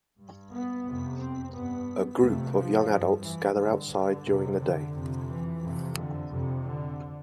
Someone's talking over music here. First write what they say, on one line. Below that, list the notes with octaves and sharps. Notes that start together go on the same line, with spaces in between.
A group of young adults gather outside during the day.
G2
B3
F2 C3
C4
G2 B3
F2 C3 A3
F3
G2
E3
G2 D3
D3
F2 C3
D3
F2 C3
E3
F2 C3
D3
F2 C3
D3